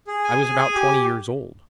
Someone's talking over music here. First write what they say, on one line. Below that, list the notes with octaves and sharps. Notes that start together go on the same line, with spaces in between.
I was about twenty years old.
G#4
G#5
G#4
G#5
G4